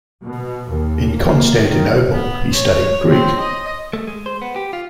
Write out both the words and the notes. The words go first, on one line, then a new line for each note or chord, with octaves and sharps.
In Constantinople he studied Greek.
B2
D#2
A#3
D#3
B3
C#5
C4
D#5
A3
G#3
C5
B3
G4
F4